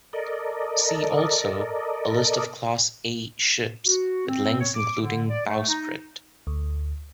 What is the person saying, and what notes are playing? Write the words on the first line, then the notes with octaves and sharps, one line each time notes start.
See also a list of class "A" ships with lengths including bowsprit.
A4 A#4 D5 D#5
F#4
C4
C#5
D6
D3
D5
A3
D#4
D2